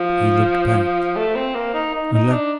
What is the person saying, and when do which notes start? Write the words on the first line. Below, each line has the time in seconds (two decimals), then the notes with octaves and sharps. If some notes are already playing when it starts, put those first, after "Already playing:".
He looked back, and lo!
Already playing: F3
1.16 A3
1.35 C4
1.55 A#3
1.74 D#4
1.94 D#4
2.13 D#4
2.32 D4